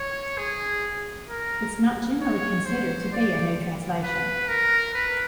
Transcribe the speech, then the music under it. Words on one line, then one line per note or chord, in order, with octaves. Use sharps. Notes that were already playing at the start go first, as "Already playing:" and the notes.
It is not generally considered to be a new translation.
Already playing: C#5
G#4
A#4
C#5
C5
D5
B4
A#4
B4